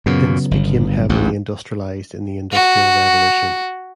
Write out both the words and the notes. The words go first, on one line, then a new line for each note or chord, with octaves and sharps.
Ince became heavily industrialised in the Industrial Revolution.
F#2 A#2 C#3 F#3 B3
G1
A1 D2 G2
F#4